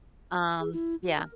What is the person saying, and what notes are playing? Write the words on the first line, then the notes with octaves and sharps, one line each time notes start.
Um, yeah
G#4
E4
F#4
A#4